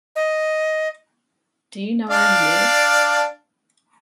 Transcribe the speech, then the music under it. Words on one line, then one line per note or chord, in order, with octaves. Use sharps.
Do you know where he is?
D#5
D4 D5 F5